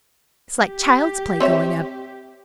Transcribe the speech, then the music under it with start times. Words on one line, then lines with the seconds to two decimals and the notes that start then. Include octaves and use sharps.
It's like child's play going up.
0.67 G4
1.40 C4 C#5 E5